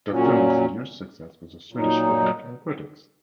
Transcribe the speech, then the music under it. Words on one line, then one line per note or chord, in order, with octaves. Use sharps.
The film was a huge success with the Swedish public and critics.
A#2 F#3 C#4
A#2 F#3 D#4